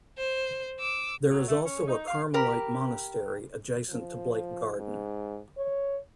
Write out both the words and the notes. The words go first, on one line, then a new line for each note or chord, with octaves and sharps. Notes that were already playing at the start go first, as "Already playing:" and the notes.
There is also a Carmelite monastery adjacent to Blake Garden.
C5
D6 E6
F#3
A3
C#4
D#4
F5
G4 A#4 B5
F3
G#2
C#5